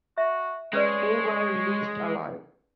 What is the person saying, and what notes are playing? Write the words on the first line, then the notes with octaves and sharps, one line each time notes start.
Four were released alive.
F#4 E5
G#3 C#4 B4 C#5 D5